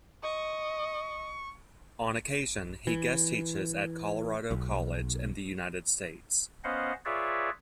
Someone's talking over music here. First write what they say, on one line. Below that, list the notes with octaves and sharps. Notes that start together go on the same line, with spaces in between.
On occasion, he guest-teaches at Colorado College in the United States.
D#5 C#6
E3
B1
B3 C#4 C5 D#5 F5 F#5
F4 G#4 B4 C#5 D5 E5